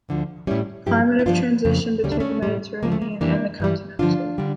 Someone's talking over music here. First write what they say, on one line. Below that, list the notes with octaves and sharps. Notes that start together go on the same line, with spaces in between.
Climate of transition between the Mediterranean and the Continental.
D2 D3 F3
A2 G3 C#4 E4
G2 F3 E4 G4
E4
G2 F3 D4 F4
F2 C#3 F3
D2 C#3 G3 C#4
D4
A3 C#4
A2 G3
D2 C#3 F3 A#3
A3
A#3
F2 E3 G3 A#3 D4
G2 E3 G3
G2 D3 F3 D4 F4
D3 G3